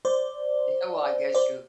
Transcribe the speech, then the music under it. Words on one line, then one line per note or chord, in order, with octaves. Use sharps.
Yeah, well, I guess you
C5 D5
C5 D5